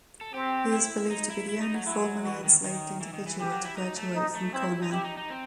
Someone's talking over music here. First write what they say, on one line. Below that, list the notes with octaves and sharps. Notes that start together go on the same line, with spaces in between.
He is believed to be the only formerly enslaved individual to graduate from Cornell.
A4
C4 G4
E4
D#4
E4
E4
D#4
F#3
F#3 E4
E3 F#4
D#3
D#3
E3
D#3
E3
E3 G4
F#3
E4
D#4
A3
D#4
A3
C4 E4
D#4
E4 G4
D#4
D#4
C4